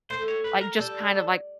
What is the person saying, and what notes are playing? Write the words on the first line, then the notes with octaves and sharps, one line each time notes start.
Like, just kind of, like
A3 C5
C#5
B4
A#4
G3 A4